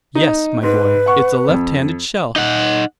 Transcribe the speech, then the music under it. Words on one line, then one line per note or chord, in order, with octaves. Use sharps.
"Yes, my boy, it's a left-handed shell!"
D#4
G#2 B4
F#5 C#6
F2
D#4 F#5